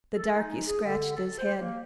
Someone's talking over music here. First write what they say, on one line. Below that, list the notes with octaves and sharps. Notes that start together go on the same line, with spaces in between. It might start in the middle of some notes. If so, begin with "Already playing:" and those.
The darky scratched his head.
A4
D#4
G#4
D3
A4
C5
A#3